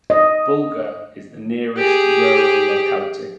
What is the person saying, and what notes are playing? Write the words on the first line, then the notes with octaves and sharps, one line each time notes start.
Bulgar is the nearest rural locality.
D#5
G4 G#4